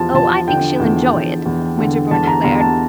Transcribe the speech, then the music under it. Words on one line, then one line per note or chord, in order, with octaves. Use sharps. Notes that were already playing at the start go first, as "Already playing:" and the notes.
"Oh, I think she'll enjoy it!" Winterbourne declared.
Already playing: E2 F3 A5
F3 A5
D3 G5
E2
E2
E2
D3
E2 A5
A#5
E2 A#5
A5